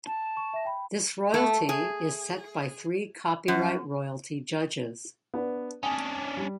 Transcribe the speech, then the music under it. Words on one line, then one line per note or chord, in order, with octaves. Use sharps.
This royalty is set by three copyright royalty judges.
A5
C#6
E5 A#6
G5 B5
A3
G#4
F#2
B3 D4
C#4 D4 G#5 D#6
G3